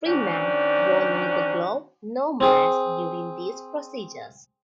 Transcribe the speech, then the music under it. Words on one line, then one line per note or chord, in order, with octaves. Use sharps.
Freeman wore neither glove nor mask during these procedures.
D#3 C#4 D4 F#4 C5 D5
C4 G#4